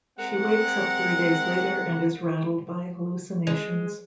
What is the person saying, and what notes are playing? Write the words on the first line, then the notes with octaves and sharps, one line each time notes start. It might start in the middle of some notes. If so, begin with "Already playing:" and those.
She wakes up three days later and is rattled by hallucinations.
G#3 C4 A#4 F#5
G#3